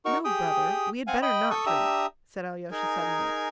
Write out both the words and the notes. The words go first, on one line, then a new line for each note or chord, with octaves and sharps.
"No, brother, we had better not drink," said Alyosha suddenly.
D#4 F#4 A#4 C#6
G4 G#4 G5 D#6
C4 F5 F#5 G#5
D#5 G5 B5
A4 C#6 D#6
D4 G4 E5 A#5 D#6 E6
D#4 G#4 A#4 G#5